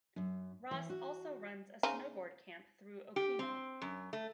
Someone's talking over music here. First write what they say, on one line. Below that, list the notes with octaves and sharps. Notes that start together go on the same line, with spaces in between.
Ross also runs a snowboard camp through Okemo.
F#2
E3
F#4
C#3 C4 D#4
G4
C4
F#2
A3